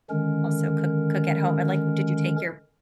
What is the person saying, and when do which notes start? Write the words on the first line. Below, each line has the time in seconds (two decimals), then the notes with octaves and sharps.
also cook cook at home, and, like, did you take your
0.10 D3 D#3 G#3 C#4 A#4